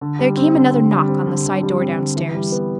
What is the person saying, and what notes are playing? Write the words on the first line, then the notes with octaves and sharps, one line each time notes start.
There came another knock on the side door downstairs.
D3
G3
C4
D3
D3
G3
C4
D3
D3
G3
C4
D3
E3
G3
B3